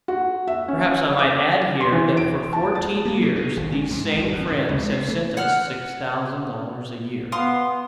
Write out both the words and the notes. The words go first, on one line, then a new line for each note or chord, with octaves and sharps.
Perhaps I might add here that for fourteen years these same friends have sent us six thousand dollars a year.
F#4
E5
C#4
D6
C6
E3
D7
A5
A6
A#3
C#3
B2
G#1
C#4
G#2
G#1
F2
C#3
C#2
C3
A3
F#5 F6
B3 F5 C6 D#6